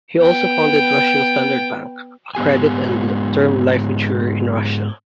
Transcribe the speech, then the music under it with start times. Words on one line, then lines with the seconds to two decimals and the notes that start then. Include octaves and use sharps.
He also founded Russian Standard Bank, a credit and term life insurer in Russia.
0.18 B3 G5
2.35 G#2 B3 G4 G#5